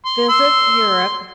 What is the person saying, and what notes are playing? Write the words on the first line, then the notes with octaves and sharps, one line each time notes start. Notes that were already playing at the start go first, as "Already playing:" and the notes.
visit Europe.
C6
C6 E6